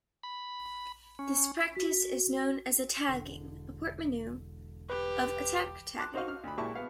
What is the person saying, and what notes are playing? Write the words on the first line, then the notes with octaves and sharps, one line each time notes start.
This practice is known as "attagging", a portmanteau of "attack tagging".
B5
C#4
F#4 B6
E1 D3
G4 B4
A5 C6 D6 F#6
D#4 F#4 C5 D#5 F5 C#6
F6
D2 B5
A#2 G#3 E4 G4 A5 C#6
B3 F5